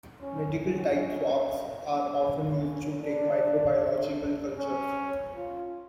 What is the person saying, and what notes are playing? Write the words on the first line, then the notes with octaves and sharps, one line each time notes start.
Medical-type swabs are often used to take microbiological cultures.
C#4
C#4
C#4
D4
C#4
F4